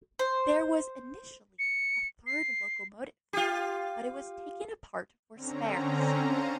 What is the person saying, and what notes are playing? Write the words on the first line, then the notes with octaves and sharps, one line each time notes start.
There was initially a third locomotive but it was taken apart for spares.
C5
C#7
C7
F4 G4
D3 C4 C#4 A#5
F5 A5 A#5 C6 C#7 D#7